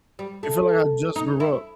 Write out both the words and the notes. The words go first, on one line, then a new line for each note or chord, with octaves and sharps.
it feel like I just grew up,
G3
A3
D#4
E4